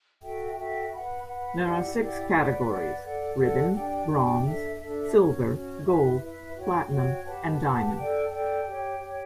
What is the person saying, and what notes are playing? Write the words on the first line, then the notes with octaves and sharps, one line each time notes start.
There are six categories - Ribbon, Bronze, Silver, Gold, Platinum and Diamond.
F#4 A4 E5 G5
F#4 A4 E5 G5
B4 F#5 B5
B4 F#5 B5
E4 G4 D5 F#5
E4 G4 D5 F#5
B4 D5 F#5
B4 D5 F#5
A4 D5 F#5
A4 D5 F#5
D4 G4 D5 G5
D4 G4 D5 G5
D4 A4 E5
D4 A4 E5
C#4 F#4 C#5
C#4 F#4 C#5
E4 B4 E5
E4 B4 E5
F#4 C#5 G5
F#4 C#5 G5
G4 B4 F#5 A5
G4 B4 F#5 A5
A4 D5 G5
A4 D5 G5
G4 C#5 G5
G4 C#5 G5